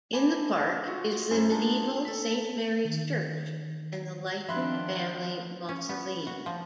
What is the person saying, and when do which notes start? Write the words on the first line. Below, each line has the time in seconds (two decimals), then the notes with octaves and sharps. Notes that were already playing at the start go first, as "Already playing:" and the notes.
In the park is the medieval Saint Mary's Church and the Lytton family mausoleum.
0.13 C5 G#5 A5 B5 D6
0.86 F4 F#4 G#4
1.31 F#2 C#4 E4 C5 G#5
1.50 D4 F4 G#4 C5 A5 A#5
2.05 A4 B6
2.85 D#3
4.49 D#3 F3 D4 E5 B5 C6 F#6
5.69 C#4
5.89 B3
6.27 F#4
6.46 F3